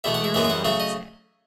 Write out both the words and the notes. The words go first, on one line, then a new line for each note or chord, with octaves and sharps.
The Earl nodded his head.
E2 B2 A3 E5
F#5
E5
F#2 E3 G#3 B3 E5
E5
F#5
C#3 F#3 A3 E5
D#5